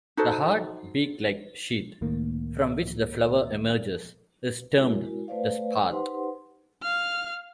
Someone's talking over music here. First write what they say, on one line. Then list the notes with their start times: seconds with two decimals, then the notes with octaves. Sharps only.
The hard, beak-like sheath from which the flower emerges is termed the "spathe".
0.17 D#4 F#4 A4 C5
2.01 C#2 A2 D#3 A#3
4.76 G#3 E4 F#4 A#4
5.28 A3 B4 C5 D5 F5
5.89 D#4 G4 B4 C5 F#5 C6
6.82 F5 F6